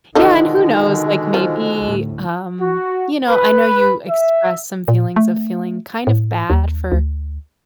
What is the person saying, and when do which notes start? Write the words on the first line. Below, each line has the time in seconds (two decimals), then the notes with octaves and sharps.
Yeah and, who knows, like, maybe, um you know, I know you expressed some feelings of feeling kind of bad for
0.15 B2 D3 D#3 F3 G#3 D#4 A4
1.34 F3
1.79 D2 A2
2.60 F#4
3.28 B4
4.10 E5
4.88 A#2
5.16 A3
6.07 A2
6.50 D#2
6.92 D2